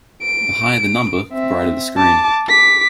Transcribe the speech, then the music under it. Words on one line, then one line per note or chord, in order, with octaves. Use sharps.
The higher the number, the brighter the screen.
D7
C4 E5
A5 D6
D6 B6